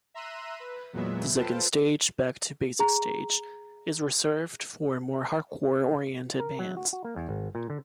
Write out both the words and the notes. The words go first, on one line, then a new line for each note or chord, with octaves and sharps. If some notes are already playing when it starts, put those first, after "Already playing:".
The second stage, Back-to-basics-stage, is reserved for more hardcore oriented bands.
E5 A#5 C6 E6 F#6 D#7
B4
E2 A#2 F#3 G#3 B3 E5
F4 A4 B4 C5 G5 A5
G#4 A#5
A#4
F#3
F#4
F#4
A#3
E2
G#1
A#2
D3